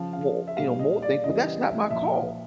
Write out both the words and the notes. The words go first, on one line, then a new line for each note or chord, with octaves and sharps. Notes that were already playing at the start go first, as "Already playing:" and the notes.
mor you know, more things, but that's not my call
Already playing: C#3 F3 F5
F5
E5
A#2 G3 F5
D#5
D5
C#3 E3 G3 D#5
D#5
E5
D#5
A#2 F3 E5
E5
F5